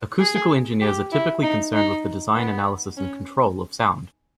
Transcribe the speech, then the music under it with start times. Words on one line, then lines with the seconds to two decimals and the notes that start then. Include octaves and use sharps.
Acoustical engineers are typically concerned with the design, analysis and control of sound.
0.20 G#4
0.81 G4
1.12 E4
1.43 D#4
1.74 D#4
2.36 B3
2.97 C#4